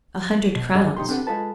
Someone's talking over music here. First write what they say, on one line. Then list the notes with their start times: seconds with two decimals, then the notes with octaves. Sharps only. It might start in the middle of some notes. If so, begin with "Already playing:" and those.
"A hundred crowns."
0.56 B2
0.75 G2 C#4 G#4 D#5 F#5
0.97 B1 D#4 G4 C6
1.09 C4 D4 G4 A4 B4 F#5
1.27 G#3 F4 G#4 A4 B4 A5